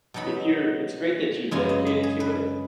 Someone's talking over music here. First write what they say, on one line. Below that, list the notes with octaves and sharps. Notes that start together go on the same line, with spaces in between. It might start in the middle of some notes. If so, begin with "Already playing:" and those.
if you're it's great that you're dedicated to it,
B2 F#3 D#4 B5
F#2 C#3 G#3 G#5
D#5
D#5
G#4
B4